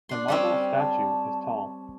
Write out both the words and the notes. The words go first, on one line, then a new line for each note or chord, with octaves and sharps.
The marble statue is tall.
D4 C6
G3 C4 C#4
A5